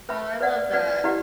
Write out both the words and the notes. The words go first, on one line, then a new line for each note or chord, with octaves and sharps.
Oh, I love that.
B4 E5 G5 B5
B4 D5 F#5
B4 D5 F#5
E4 G4 B4 D#5 F#5